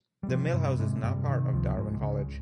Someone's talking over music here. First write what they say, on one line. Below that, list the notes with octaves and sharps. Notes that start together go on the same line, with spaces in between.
The mill house is now part of Darwin College.
G3
C3 F3
G2 C3 G3
G#2 C3 G#3
G2 C3 G3
C3 D#3
C#2 F3
C#2 G#2 G#3
C#3